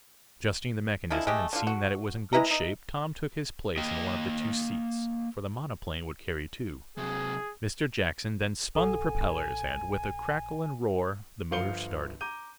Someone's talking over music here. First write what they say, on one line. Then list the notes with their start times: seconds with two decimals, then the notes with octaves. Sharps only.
Adjusting the mechanism, and seeing that it was in good shape, Tom took his place in one of the two seats, for the monoplane would carry two. Mr. Jackson then spun the propellers, and, with a crackle and roar the motor started.
1.10 D3 F3 G#3 E4
1.27 G#3 A3 G4 G#4
1.53 D3 F4
1.67 F#4
2.33 G#3 E4 B4 A#5
2.51 D#4
3.77 A#3 D#5 G5
6.98 C3 F#3 G#4
8.75 A#1 A4 F#5 G#5
11.51 G1 F3 F5 G6 C#7 G7
12.21 A#5 D6 G6 D#7